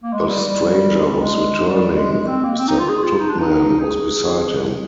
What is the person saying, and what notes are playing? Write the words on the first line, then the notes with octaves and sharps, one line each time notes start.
The stranger was returning, and Mr. Tupman was beside him.
A#3
G#3
G3
G3
G#3
G3
G#3
G#3
G3
G3
G#3
G#3
C4
A#3
C4
D#4
F4
G#4
F4
D#4
D4
D#4
G#4